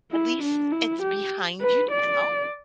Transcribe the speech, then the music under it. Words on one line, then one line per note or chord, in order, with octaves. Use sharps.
at least it's behind you now.
E4
D4
E4
G4
B4
D5